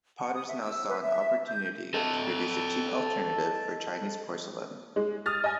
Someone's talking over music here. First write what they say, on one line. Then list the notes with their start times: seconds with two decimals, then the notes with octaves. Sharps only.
Potters now saw an opportunity to produce a cheap alternative for Chinese porcelain.
0.18 F#5
0.33 D#6
0.47 E5
0.61 E6
0.89 B4
1.02 E5
1.48 G6
1.94 A4 D#5
4.96 G#3
5.26 D#6 F6 A6
5.44 D#5 G#5